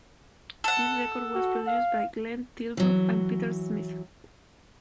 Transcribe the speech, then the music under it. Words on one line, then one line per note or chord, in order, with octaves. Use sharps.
This record was produced by Glenn Tilbrook and Peter Smith.
A4 F#5
F#4
F5
E3 F#3